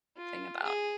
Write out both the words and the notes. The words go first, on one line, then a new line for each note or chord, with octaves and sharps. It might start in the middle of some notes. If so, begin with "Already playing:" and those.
thing about
F4
G#4